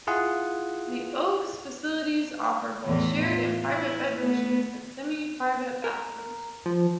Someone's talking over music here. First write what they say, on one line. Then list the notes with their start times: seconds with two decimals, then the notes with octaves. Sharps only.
The Oaks facilities offer both shared and private bedroom suites and semi-private bathrooms.
0.07 E4 F4 G#4 F#5
2.85 E2 A2 E3
3.23 F4
3.72 E4
4.20 A3 B3
5.84 A#4
6.66 F3